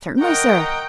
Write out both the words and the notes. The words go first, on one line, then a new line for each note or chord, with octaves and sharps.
"Certainly, sir."
A#4 D#5 F#5 G5 A#5 C#6